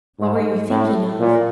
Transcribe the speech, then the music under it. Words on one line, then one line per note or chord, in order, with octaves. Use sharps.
"What were you thinking of?"
G#2
A2
A#2